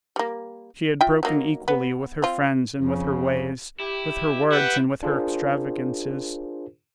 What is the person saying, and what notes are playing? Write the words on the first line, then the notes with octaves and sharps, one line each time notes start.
She had broken equally with her friends and with her ways, with her words and with her extravagances.
G3 A#3
F4 E5 G5
F#3 A#3 D#4
B3
C4 F4
F2 C#3
E4 G4
E4 B4 F#5 G5
D4 F4 G#4 A#4 C5